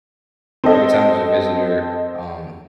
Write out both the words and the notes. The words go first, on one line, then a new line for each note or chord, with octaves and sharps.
every time there's a visitor, um,
C4 A4 D#5